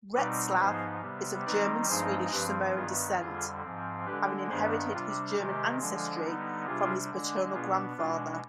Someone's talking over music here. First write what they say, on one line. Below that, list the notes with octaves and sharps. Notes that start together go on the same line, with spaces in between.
Retzlaff is of German-Swedish-Samoan descent, having inherited his German ancestry from his paternal grandfather.
B2 G3 C4 D#4 B4 D5
G#2 F3 B3 D#4 G#4 C5
C3 G3 B3
D#3 G3 C4 D#4 B4 D5
G2 F3 G#3 C4 D#4 G#4 C5
G2 F3 C4 G4 B4
G2 D#3 B3 F4 G#4
F2 D3 G3 F4 G#4
G#2 F3 C4
D3 G#3 D4 G4 B4
G2 D#3 B3 D4 G#4 C5
C3 G3 D4 F4
C3 D#3 G#3 G4
D3 F3 G#3 D4
D3 G3 B3 D#4
C3 G3 D4 F4 G#4
D3 G#3 D4
B2 B3 D4 F4 G#4
B2 G#3 D4 F4